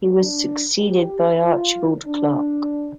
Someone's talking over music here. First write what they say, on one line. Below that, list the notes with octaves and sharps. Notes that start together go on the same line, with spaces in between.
He was succeeded by Archibald Clark.
D4
G4
F4
D4